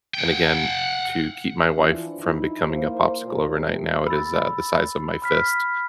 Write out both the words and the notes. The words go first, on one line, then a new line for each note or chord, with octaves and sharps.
And again, to keep my wife from becoming a popsicle overnight, now, it is, uh, the size of my fist,
F#5 G5
E3 F3 D4 E4 F4
F3 D#4 E4
A#3 C5
A#2
B2 A3 G4
B5 E6 A6
B5 F6 B6